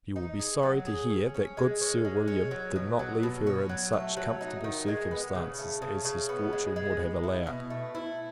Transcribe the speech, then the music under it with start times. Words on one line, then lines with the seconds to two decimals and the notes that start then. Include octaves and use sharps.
You will be sorry to hear, that good Sir William did not leave her in such comfortable circumstances as his fortune would have allowed.
0.16 D#4
0.39 G#4
0.63 F#3
0.87 G#4
1.10 C#4
1.34 C#4
1.57 G#3
1.81 C#4
2.05 G#3
2.28 C#4
2.51 F#3
2.76 B2
2.99 F#3
3.23 B2
3.47 C#4
3.69 F#3
3.93 A3
4.17 F#3
4.41 D#4
4.64 D#3
4.88 G#3
5.11 B3
5.35 C#3
5.58 A3
5.82 C#3
6.05 C#3
6.29 B3
6.53 G#3
6.76 G#3
6.99 B3
7.23 E4
7.47 B2
7.70 A3
7.95 E4